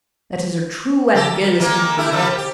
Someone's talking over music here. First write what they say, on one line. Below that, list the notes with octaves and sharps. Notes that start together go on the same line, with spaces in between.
That is a true and fearless conclusion.
C#3 G4 A4
D#3
D#3 G#3 A#3
A3 E4 G4
D#3 F3 G3
G4